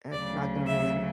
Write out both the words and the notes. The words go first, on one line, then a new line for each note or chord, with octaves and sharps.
that's not gonna really m
D2 C#3 F#3 D5
E5